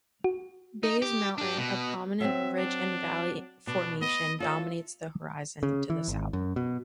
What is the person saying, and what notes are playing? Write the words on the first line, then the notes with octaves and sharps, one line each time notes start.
Bays Mountain, a prominent Ridge-and-Valley formation, dominates the horizon to the south.
F#4
D#4
G4
D4 G4
B2
F#3 C4 E5
D4
B2 D4
B3 D#5
F4 A4 D5 E5
C#3
E3
G#1
F#2
B2